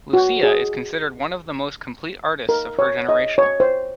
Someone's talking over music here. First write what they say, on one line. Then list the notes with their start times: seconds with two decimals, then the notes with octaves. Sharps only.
Lucia is considered one of the most complete artists of her generation.
0.13 F#4
0.43 G#4
2.49 A#4
2.79 C#5
3.09 D#5
3.38 C#5
3.60 C5